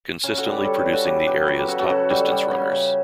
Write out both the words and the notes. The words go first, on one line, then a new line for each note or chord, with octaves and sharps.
Consistently producing the area's top distance runners.
C#3 C#4
F#4 A4
G3
G4 B4
G3 A4 C#5
G4 B4
C#3
F#4 A4
C#3 E4 G4
F#3 G4 B4
F#3 A4 C#5
G4 B4
C#3 F#4 A4
F#4 A4
C#3 F#4 A4
G3 F#4 A4
G3
C#3
C#3